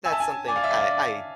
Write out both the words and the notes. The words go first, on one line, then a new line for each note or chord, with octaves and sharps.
that's something I I
E5 G#5
A5
G#5
D5 G#5
F5
E5
F5